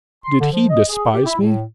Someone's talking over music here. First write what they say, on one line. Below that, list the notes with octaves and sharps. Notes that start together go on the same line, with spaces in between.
Did he despise me?
C6
D3
F3
D#5
G#4
G4
E4
A2